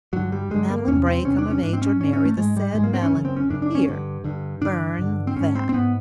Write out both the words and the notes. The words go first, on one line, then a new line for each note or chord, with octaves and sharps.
"Madeline Bray--come of age or marry--the said Madeline"--here, burn THAT!'
G2 D3 F#3
G3
G2 D3 G#3
A#3
E2 C3 C#4
C4
E2 C3 C#4
D4
C#4
G#2 D4
C4
C#4
G#2 C#4
C#4
A3
G#2 G#3
G3
G#2 G#3
A#3
C4
C#4
F#2 C#3
C4
C#4
F#2 C#3 D4
D4
C#4
G2 D3
G2 D3
G2 D3 D4
G2 D3
C4
G#2 C#4
C4
C4
G#2 B3